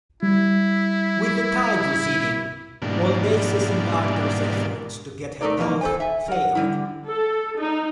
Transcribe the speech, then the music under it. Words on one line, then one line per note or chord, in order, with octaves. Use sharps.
With the tide receding, all "Dace"s and "Darter"s efforts to get her off failed.
G3 E4
G#2 B2 E3 G3 A#3 D4
A3 D#4 A4 A#4 D5
F2 E3 G3 A#3 D#4
A4 C5 G#5
E5 G#5
A#4 F#5
D3 G3 E4
A4
D#4